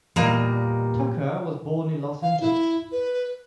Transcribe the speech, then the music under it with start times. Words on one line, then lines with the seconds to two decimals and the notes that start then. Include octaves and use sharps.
Tucker was born in Los Angeles.
0.16 E2 A#2 G3 A#3 D#5
2.22 F5
2.40 E4
2.92 B4